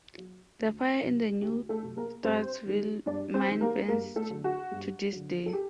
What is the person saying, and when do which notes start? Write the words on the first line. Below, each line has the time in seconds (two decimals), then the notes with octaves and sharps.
The fire in the New Straitsville mine burns to this day.
0.18 F#3
0.59 D2
1.01 C3 F#3
1.41 D2 G4
1.69 A3 A4
1.83 C3 F#3
1.96 A#3 A#4
2.24 G2 C4 C5
2.66 D#3 G3
3.06 G2 D4 D5
3.34 C4 C5
3.48 D#3 G3
3.61 A#3 A#4
3.88 G2 A#3 A#4
4.16 A3 A4
4.30 D3 F#3
4.44 F#4
4.72 G2
5.13 D3 F#3
5.46 A4
5.53 G4